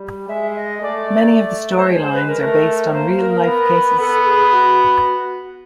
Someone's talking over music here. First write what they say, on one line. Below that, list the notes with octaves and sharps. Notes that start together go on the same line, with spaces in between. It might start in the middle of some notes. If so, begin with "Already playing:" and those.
Many of the storylines are based on real-life cases.
Already playing: G3
G#3 E5
D#5
A3 D5
C5
G#3 C#5
C5
B4
A#4
A3
C#5
A#3 C5
A#4
B3
B3 A4
G#4
F#4